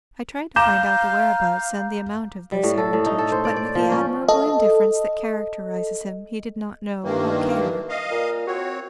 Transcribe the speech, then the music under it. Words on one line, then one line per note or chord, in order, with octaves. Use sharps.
I tried to find out the whereabouts and the amount of this heritage; but, with the admirable indifference that characterizes him, he did not know or care.
F5 A#5 D6 G6 E7
G3
A2
A4
A2
D#4
A4
C5
D5
D5
F3
C#4
A4 D#5
G2 D#3 E3 A#3
D#5 F5
A#2
C4 F#4 C#5